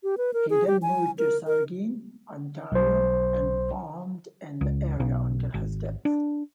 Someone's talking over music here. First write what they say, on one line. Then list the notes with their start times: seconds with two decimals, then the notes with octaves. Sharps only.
He then moved to Saugeen, Ontario and farmed in the area until his death.
0.03 G4
0.18 B4
0.34 A#4
0.50 G#4
0.67 G4
0.82 G#5
1.18 A#4
1.47 A#4
2.72 B1 C5
4.61 C#2
5.00 B1
5.54 G#1
6.05 D4